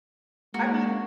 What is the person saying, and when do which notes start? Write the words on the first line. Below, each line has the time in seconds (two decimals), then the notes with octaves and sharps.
I mean,
0.54 G#3 A#3 F#4